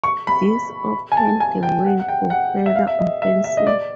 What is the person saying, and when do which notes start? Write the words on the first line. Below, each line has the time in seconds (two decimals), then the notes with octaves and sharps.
This opened the way for further offensive.
0.04 C#6
0.27 B5
1.12 G#5
1.17 A5
1.40 G#5
1.63 G5
1.86 F#5
1.99 F#5
2.08 G5
2.30 F#5
2.66 E5
2.76 F5
2.87 E5
2.99 D#5
3.22 E5
3.44 E5
3.57 D#5
3.67 D5